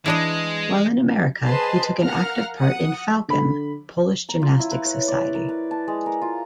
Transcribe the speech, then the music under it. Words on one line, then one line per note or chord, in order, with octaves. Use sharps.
While in America he took an active part in "Falcon" Polish Gymnastic Society.
E3 G#3 D4 D#5
G#4 B4 C5 D#5 A5 C6
A#4 F5 F#5 A#5 F6
F#5 D#6
D3 B5
A#5
F4
E4
B4
C#5
D5
A#4
B4
A5
G#3
A#4
F4